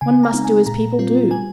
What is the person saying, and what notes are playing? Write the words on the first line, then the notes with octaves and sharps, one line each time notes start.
One must do as people do.
C#3 G#5
A#5
G#3 C4 D#4
G#5
A#2 A#5
G3 C4 F4
G3 G#5